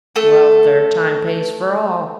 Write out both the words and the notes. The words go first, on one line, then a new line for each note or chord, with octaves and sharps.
'Well, third time pays for all.
A3 A4